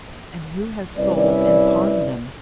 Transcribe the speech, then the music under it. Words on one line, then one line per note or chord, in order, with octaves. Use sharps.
"And who has sold and pawned them?"
C2 C#4 E4 B4 D5